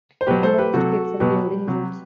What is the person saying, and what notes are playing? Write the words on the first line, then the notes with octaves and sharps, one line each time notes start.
Most kits include engines.
C5
B2 F#3 G4 B4
A4 C5
G4 B4
C3 F#3 F#4 A4
B2 F#3 G4 B4
C3 F#3